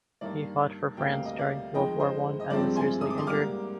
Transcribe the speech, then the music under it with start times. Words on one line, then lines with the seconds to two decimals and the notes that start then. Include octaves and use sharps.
He fought for France during World War One and was seriously injured.
0.21 G2 D#3 A#3 D5
0.97 D2 C3 G3 A#3 G5
1.11 F5
1.25 D#5
1.38 D5 F5
1.74 F2 D#3 G#3 D#5 G5
2.00 C5 D#5
2.40 D#5
2.50 G2 F3 G#3 C4 D5
2.76 G#5 C6
3.01 D#6
3.10 D6
3.17 C6 D#6
3.27 G#2 G3 A#3 D6 F6